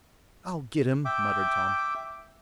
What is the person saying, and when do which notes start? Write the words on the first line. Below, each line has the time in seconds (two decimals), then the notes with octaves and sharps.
"I'll get him!" muttered Tom.
1.05 E5 G5 D6